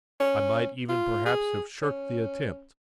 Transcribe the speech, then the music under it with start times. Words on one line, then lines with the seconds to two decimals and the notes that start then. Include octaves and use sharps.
I might even perhaps have shirked the attempt.
0.20 C#4
0.89 F4
1.25 G#4
1.82 C#4